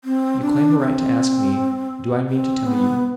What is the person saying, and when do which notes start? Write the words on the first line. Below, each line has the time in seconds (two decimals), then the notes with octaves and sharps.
You claim a right to ask me do I mean to tell you.
0.04 C4
0.42 D4
0.79 C4
2.29 C4
2.66 B3